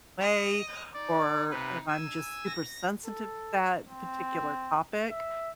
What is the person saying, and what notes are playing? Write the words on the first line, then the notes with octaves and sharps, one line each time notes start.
away, or if I'm just super sensitive to that particular topic,
D#5
D#4 D5
C3 B4
G#5 E6
A#6
A4
C4
E5